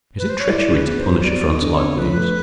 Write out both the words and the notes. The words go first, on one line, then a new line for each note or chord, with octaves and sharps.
Is it treachery to punish affronts like these?
B4
C5
C#5
E4 D5
G#4
B4
B3
C5
F#3
G3 D5
B3
D#5
D3
C#5
F2
F3 B4
A3